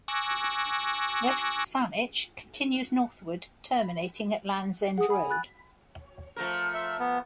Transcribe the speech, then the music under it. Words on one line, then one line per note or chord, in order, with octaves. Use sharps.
West Saanich continues northward, terminating at Land's End Road.
G#5 C#6 D6 E6 F#6 A#6
G#4 F#5 D#6
G#5 B5
B5 F#6 A6
F3 A3 A#4
E5
B3